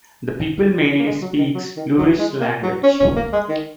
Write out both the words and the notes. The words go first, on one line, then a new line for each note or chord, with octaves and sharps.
The people mainly speak Lurish language.
A#3
G#3
F#3
D#3
F#3
D#3
F#3
G#3
A#3
F#3
C#4
C#4
A#3
G#3
D#3